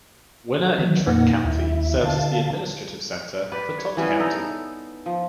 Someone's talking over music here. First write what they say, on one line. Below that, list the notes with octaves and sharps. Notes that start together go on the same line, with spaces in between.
Winner in Tripp County serves as the administrative center for Todd County.
D#3 E3 F#3
F2 A#2 A#3 D#4 F#5 A#6
D#2 E4 E5
D3 F5 A5 A6
G4 B4 D5
C#5
E3 G3 B3 C#4
D#4 A4
F3